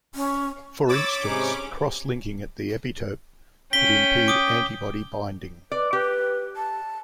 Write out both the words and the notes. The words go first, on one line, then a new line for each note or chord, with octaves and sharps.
For instance, cross-linking at the epitope could impede antibody binding.
C#4
C#5 B5 D6 E6 A6
G#2 C3 C#4 D#4 G#4
C#4 G5 B6 G7
D6 D#6
B4 D5
G4 B4
A5